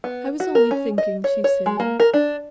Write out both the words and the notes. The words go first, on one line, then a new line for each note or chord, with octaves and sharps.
"I was only thinking," she said.
B3
F#4
A#4
C#4
D#5
C#5
C#5
G#3
A#3
A#4
D4